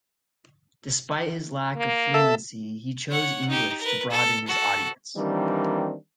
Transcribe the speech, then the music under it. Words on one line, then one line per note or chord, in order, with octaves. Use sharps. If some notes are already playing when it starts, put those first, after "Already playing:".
Despite his lack of fluency, he chose English to broaden his audience.
A#3
A4 E5
C#5 F#5
D#4 G4
A#4 B4
A4
F#4 A4
D#3 E3 G3 A#3 C4 D4